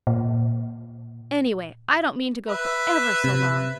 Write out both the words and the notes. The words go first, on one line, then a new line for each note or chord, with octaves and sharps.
Anyway, I don't mean to go for ever so long.
A#2
B4 E5
C3